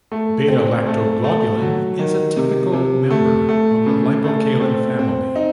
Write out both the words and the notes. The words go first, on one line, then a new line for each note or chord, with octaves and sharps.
Beta-lactoglobulin is a typical member of the lipocalin family.
A3
C4
A3
A3
F#3
D#3
C3
C3
A3
A3
C#3
A3
C4
C4
D#4